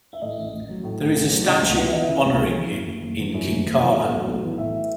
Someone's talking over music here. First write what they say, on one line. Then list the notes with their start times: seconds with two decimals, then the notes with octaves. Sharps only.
There is a statue honoring him in Kinkala.
0.13 E5
0.22 A2 D#5
0.38 A1
0.53 A1
0.69 F#3
0.84 A2
1.00 A1
1.16 A1
1.31 F#3
1.46 C#3 D#5
1.62 C#2
1.77 B3 F#5
1.85 E5
1.92 E3 D#5
1.99 E5
2.08 C#3
2.25 C#2
2.40 B3
2.56 E3
2.71 F#2
2.87 F#1
3.02 F#1
3.19 E3
3.34 F#2
3.50 F#1
3.65 F#1
3.80 E3
3.96 A2
4.11 B1
4.27 B1
4.42 E3
4.58 A2 E5